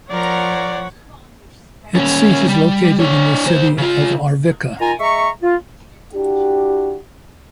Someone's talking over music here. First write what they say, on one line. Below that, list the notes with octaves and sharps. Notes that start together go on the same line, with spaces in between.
Its seat is located in the city of Arvika.
F3 A#4 C#5 D5 F#5 A#5
D#2 C#4
G3
D4 C#5
D2 C5
C#3 F4
D#3 F4 G#5 A#5
G#3 E5 A#5 C#6
F4
D4 E4 F#4 G4